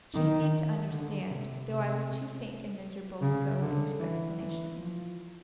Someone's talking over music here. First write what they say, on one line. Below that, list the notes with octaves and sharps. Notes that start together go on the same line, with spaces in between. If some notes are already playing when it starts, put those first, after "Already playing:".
She seemed to understand, though I was too faint and miserable to go into explanations.
D#3
D3
C3
C3
C#3
D3
E3
E3
F3